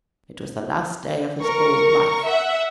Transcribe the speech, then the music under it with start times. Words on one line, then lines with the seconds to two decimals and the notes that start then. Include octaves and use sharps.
It was the last day of his old life.
1.42 A#4 C#6
2.25 E5 F#5